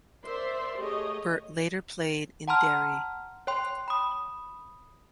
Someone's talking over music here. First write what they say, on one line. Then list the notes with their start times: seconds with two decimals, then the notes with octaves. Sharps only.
Burt later played in Derry.
0.25 A#4 C5 D5 E5 C6
0.77 A3 G4 G#4 C#5 D#5
2.48 F#5 A5 A#5 C6 F6
3.47 C#5 G5 C6
3.88 B5 D#6